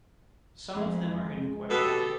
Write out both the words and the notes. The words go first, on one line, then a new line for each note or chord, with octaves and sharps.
Some of them are hidden quite well.
F2 G#3
B2 G4 A4